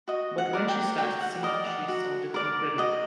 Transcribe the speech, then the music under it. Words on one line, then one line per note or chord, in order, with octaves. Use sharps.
But when she started singing, she sounded incredible.
F#4 D#5
F#5
A#4 D5
G5
F#4 G5
F#5
A#4 D5 D#5
F#5
F#4
A#4 D5
F#4 D#5